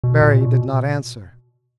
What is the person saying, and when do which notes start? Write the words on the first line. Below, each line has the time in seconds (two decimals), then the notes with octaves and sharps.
Berry did not answer.
0.04 B2
0.22 A#2
0.41 B2